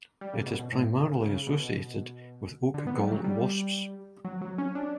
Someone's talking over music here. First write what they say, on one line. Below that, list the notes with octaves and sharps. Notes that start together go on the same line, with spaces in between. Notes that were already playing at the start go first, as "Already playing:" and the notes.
It is primarily associated with oak gall wasps.
G3
C#3
B2
B2
A2
C#3
C#3
B2
D3
B3
G3
F#3
G3
F#3
F#3
C#4
D4